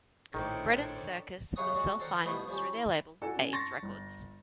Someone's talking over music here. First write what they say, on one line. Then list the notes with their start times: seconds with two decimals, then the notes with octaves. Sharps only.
"Bread and Circus" was self-financed through their label, Abe's Records.
0.34 A#1 A2 D#3 D4 A4 C5 C#5
1.56 B1 F#2 C#3 C#5 F#5 D#6
1.75 G#3 D4 F#4
2.00 A4 C5 D5 F#5 G5 A#5
2.25 C2 B2 F3 A3 B3 E4
2.48 F3 G3 C#4
2.73 E4
3.22 F#4 A4 D5 G#5
3.36 C#4
3.53 A5 C6 C#6 A6 A#6
3.82 G1